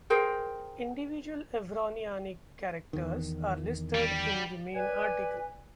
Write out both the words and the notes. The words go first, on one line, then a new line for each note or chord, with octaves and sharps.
Individual Evroniani characters are listed in the main article.
G#4 A#4 C5 G5
E2 D#3
G3
B4 D5 G#5